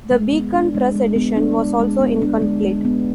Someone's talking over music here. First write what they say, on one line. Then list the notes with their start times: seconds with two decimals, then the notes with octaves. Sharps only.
The Beacon Press edition was also incomplete.
0.11 G#3
0.33 B3
0.54 D4
0.75 G#3
0.96 G#3
1.16 B3
1.37 D4
1.59 G#3
1.80 G#3
2.01 B3
2.22 D4
2.42 G#3
2.63 G#3
2.85 B3